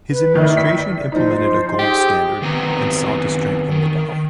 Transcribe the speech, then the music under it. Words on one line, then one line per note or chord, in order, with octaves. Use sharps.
His administration implemented a gold standard and sought to strengthen the dollar.
B4
D#3 E4 D5
B6
D5
F3 D#4 C5
G4 G#4
D#3 B3 C4 A#5
D#3